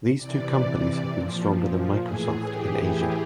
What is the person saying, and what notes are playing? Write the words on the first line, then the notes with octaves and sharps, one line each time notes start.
These two companies have been stronger than Microsoft in Asia.
C3 E3 D5
A#2 F3
A2 E3 G#4
G4